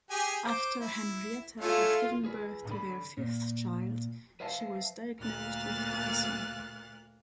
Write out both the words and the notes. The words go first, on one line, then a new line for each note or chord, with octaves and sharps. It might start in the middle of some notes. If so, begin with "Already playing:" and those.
After Henrietta had given birth to their fifth child she was diagnosed with cancer.
G4 G#4 G#5
C5 D6
E4
A3 C#4 E4 F4 A4
G#4 B4
D3 B5
A#2
B4 C5 E5 F5 A5
D2 A#2 A#3 F6 F#6 A6